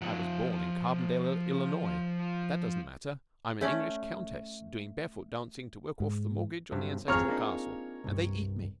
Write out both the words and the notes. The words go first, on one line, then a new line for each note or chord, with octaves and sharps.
I was born in Carbondale, Illinois, but that doesn't matter--I'm an English countess, doing barefoot dancing to work off the mortgage on the ancestral castle, and they eat me.
F3 F#5
A3 C#4 D5
G#2
G2 C3 F#3
G#1 F2 C4 F4 G#4 C#5 A#5 F6
A#3 D4 D#4
C2 G2